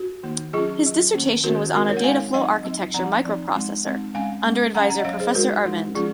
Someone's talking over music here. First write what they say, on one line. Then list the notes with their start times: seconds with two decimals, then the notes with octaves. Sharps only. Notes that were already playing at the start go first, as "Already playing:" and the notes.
His dissertation was on a dataflow architecture microprocessor, under advisor Professor Arvind.
Already playing: F#4
0.23 D#3 A#3 D#4
0.53 F#3 C#4 F4 G#4
0.84 F#3 C#4
1.14 D#3 A#3 C#4
1.44 D#3 A#3 C#4 F#4 A#4
1.74 G#3 C4 D#4 F#4 A#4
1.89 A#4 C#5
1.97 F#5
2.04 G#3 C4 D#4 F5 G#5
2.34 F#3 C4 D#4 D#5 F#5
2.64 F#3 C4 D#4
2.94 F3 C4 D#4 F#5 A#5
3.25 F3 C4 D#4
3.55 G#3 C4 D#4
3.84 G#3 C4 D#4
4.14 G#3 C#4 F5 G#5
4.44 G#3 C#4
4.74 F#3 C#4 F#5 A#5
4.90 F#5 A#5
4.99 D#5
5.05 F#3 C#4 C#5 F5
5.20 G#4 C5
5.35 G#3 D#4 F#4 A#4
5.65 G#3 D#4
5.95 F3 G#3 C#4 F4 G#4